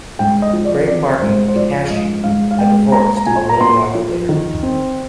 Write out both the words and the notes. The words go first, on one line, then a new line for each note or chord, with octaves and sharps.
Craig-Martin and Hashey had divorced a little while later.
G#2 G5
D#5
F3
D5
C4 D5
G#2 C5
C5
F3 D5
F5
G#2 D#5
G#2 F5
F5
G#3 G5
A#3 A#5
A#5
A#2 G#5
A#5
A#3 C6
F3
D#3
C4